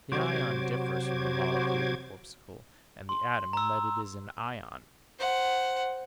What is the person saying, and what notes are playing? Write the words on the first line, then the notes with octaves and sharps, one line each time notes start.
The ion differs from the molecule, the corpuscle and the atom in that it is an ion.
C3 F#3 F#4 C5 D6 G#6
C6
A#5 E6
C5 F#5